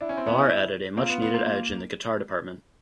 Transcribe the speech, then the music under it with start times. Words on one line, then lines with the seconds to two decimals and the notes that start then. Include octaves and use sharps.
Barr added a much needed edge in the guitar department.
0.01 D4 E4
0.09 C#4
0.17 C4
0.26 B3 C#4
0.97 A#3 C4 F4
1.09 B3
1.22 B3
1.34 A#3 C4
1.46 A#3